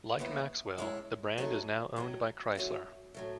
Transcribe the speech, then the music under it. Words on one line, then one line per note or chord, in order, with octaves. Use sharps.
Like Maxwell, the brand is now owned by Chrysler.
D#2 C#3 E3 B3 E4
A2 G#3 C#4 E4
D#3 F#3 A3 D#4
A2 F#3 B3 D#4
G#2 F#3 C#4 E4
A2 F#3 A3